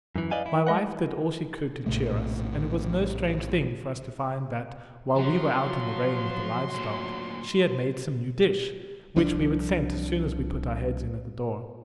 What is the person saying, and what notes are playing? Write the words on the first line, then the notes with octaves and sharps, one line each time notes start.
My wife did all she could to cheer us, and it was no strange thing for us to find that while we were out in the rain with the live stock, she had made some new dish, which we would scent as soon as we put our heads in at the door.
F#2 E3
B4 D5 D#5 F5 G#5
E4
G#3 D#5 F#5
A#1 A2 C3 A3
F3 F#3 C6
D2 A#2
C2 F3 G3 D4